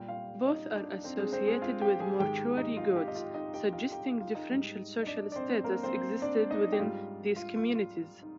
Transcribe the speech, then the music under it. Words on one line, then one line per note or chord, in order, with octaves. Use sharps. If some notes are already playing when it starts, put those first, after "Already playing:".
Both are associated with mortuary goods, suggesting differential social status existed within these communities.
Already playing: A#2 G3 G4 G5
F4 F5
D#4 D#5
D#5
D4 D5
C4 C5
G#3 G#4
C4 C5
G#3 G#4
F4 F5
G4 G5
G#4 G#5
G#2 D#3 G#3 G4 G5
D#4 D#5
F4 F5
G4 G5
D#5
F4 F5
D#4 D#5
G4 G5
F4 F5
G4 G5
G4 G5
F4 F5
D#4 D#5
G#2 G3
D#5
D4 D5
D5
C4 C5
A#3 A#4
C4 C5
D4 D5
D#4 D#5
G4
G#2 G3 F4
F4
F4
F4
D#4